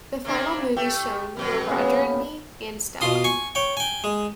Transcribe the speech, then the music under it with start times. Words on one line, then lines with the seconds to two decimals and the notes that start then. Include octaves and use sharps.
The final movies shown were Roger and Me and Stella.
0.25 C3 A#3 D4
0.76 A3 G4
1.37 F2 B2 F#3
1.67 A#2 C#3 B3
3.01 B2 F4 C6 D#6
3.24 G#5 C#6
3.55 C#5 G5
3.77 G5 G#5
4.04 G#3